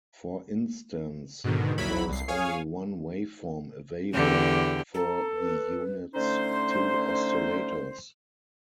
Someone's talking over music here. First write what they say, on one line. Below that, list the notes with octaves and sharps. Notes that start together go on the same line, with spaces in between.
For instance, there is only one waveform available for the unit's two oscillators.
G#2 B2 D3 D#3
A#1 D#2 F#3 E4 B5
C2 C7
G#4 C#5 F5 G#5
E2 D3 G4
A4 A#5
B4
D3 A3 C#4 D#4 C5